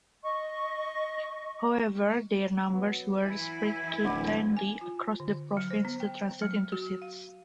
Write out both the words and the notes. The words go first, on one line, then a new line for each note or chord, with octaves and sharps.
However, their numbers were spread too thinly across the province to translate into seats.
D#5 C#6
F#3 B3
E3 E4 G#5
D1 F#5 B5 D6
G#5
F4
D3
F#3
C5
B3
G5
F#3
F#4
F5